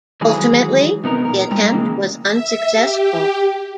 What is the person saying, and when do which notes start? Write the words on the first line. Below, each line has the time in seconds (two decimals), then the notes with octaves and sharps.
Ultimately, the attempt was unsuccessful.
0.21 D#3 E3 F#3 G#3 G#4
1.04 C3 B3 D#4 A#4
1.25 A#2 A#4
1.51 A2 G3 G#3 G5 A#5
1.73 C#3 E3 G#3 A#3
2.23 E5
2.72 G4